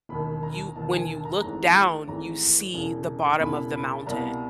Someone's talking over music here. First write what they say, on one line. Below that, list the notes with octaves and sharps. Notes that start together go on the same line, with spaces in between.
you when you look down, you see the bottom of the mountain.
E1 D#2 D#3 B5
A#5
E1 D#2 D#3 A5
G#5
A5
A#5
G#1 G#2 E3 A3 A#5
A5
G#1 G#2 E3 A3 A#5
E1 E2 C#3
E1 E2 C#3 B5
B5
A5
C2 B2 G3 A#3 A#5